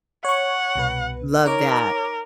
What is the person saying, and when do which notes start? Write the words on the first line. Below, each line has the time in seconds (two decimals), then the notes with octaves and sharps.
Love that.
0.25 C#5 F#5 C#6
0.76 C2 B2 B4
1.45 D#4 A#4 C#5 D6